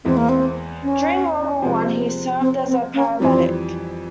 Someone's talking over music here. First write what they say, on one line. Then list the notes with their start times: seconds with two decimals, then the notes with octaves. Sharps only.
During World War One he served as a paramedic.
0.05 E2 E3 G#3 C4 E4
0.17 A#3
0.29 C4
0.83 C#4
1.62 C3 F3 G#3
2.41 C4
2.67 C4
2.94 C#4
3.20 F2 E3 G3 C4